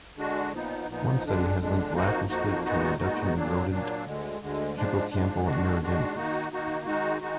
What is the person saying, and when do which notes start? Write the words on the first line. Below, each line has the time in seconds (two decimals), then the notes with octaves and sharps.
One study has linked lack of sleep to a reduction in rodent hippocampal neurogenesis.
0.17 D3 G#3 D4 F#4
0.53 A#2 F3 B3 D#4
0.88 A#2 F3 B3 D#4
1.23 F2 D3 G#3 D4
1.58 F2 D3 G#3 D4
1.93 F2 F3 A#3 D#4 F#4
2.28 F2 F3 A#3 D#4 F#4
2.63 A#2 G#3 B3 D#4 F#4
2.98 A#2 G#3 B3 D#4 F#4
3.34 A#2 F#3 A#3 D4
3.69 A#2 F#3 A#3 D4
4.05 D2 D3 G#3
4.40 D2 D3 G#3
4.75 G#2 F3 G#3 D4
5.10 G#2 F3 G#3 D4
5.45 D#3 G#3 D4 F#4
5.80 D#3 G#3 D4 F#4
6.16 D#3 A#3 D#4 F#4
6.51 D#3 A#3 D#4 F#4
6.85 D#3 G#3 D#4 F#4
7.21 D#3 G#3 D#4 F#4